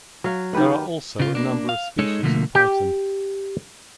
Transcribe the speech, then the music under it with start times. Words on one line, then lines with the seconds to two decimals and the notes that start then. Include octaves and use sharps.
There are also a number of species of python.
0.24 F#3 F5
0.53 D#3 G4 B4 F#5
1.20 C#3 F4
1.35 A#3 D4
1.69 F5
1.99 G#3 D#4 G#4 A4 C#5
2.23 B2 D3 F3 A3 A#3
2.55 G4